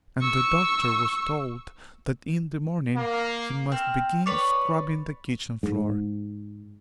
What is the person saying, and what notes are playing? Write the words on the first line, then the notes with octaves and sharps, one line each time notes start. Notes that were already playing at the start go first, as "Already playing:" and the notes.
And the Doctor was told that in the morning he must begin scrubbing the kitchen-floor.
C#6 E6
A#3
C4 F6
B4 C#5 D5
G#2